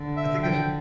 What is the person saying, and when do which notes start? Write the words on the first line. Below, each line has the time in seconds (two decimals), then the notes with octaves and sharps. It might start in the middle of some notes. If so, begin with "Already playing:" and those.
I think there's
Already playing: D3
0.17 E5
0.43 G5